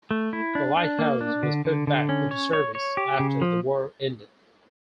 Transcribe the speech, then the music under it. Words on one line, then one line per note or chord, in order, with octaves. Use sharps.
The lighthouse was put back into service after the war ended.
A3
E4
D4
D4
A#3
D4
D3
D3
D3
C#4
C#5
C#5
C#5
G4
C#3
F3